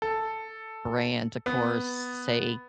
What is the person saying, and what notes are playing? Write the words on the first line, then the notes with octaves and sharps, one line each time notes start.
brands, of course, say,
A4
B3